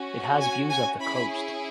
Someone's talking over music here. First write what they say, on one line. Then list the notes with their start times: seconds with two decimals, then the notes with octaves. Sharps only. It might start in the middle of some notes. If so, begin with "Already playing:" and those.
It has views of the coast.
Already playing: C#4 F#4
0.41 G#5
0.69 G#5
0.99 C#4 E4 G#4 B5